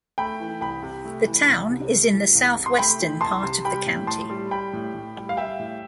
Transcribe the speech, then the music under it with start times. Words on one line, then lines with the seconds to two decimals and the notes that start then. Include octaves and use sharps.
The town is in the southwestern part of the county.
0.18 A3 G5 B5
0.40 E3
0.61 C2 G5 B5
0.82 C3
1.05 A3
1.27 E3
1.48 C2
1.70 C3
1.92 A3
2.13 E3
2.35 C2
2.56 C3
2.66 C6
2.78 A3 G5 B5
3.00 E3
3.21 C2 A5 C6
3.43 C3
3.65 G3 G5 B5
3.86 A2
4.07 A2 A5 C6
4.30 G3
4.51 G3 G5 B5
4.73 A2
4.94 A2
5.17 G3
5.29 F5
5.37 G3 E5 G5
5.59 A2